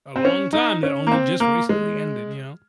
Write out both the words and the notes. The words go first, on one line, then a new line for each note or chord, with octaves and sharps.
a long time that only just recently ended, you know?
C4
C#4
D#4
C#4
A#3
C4
A#3
G#3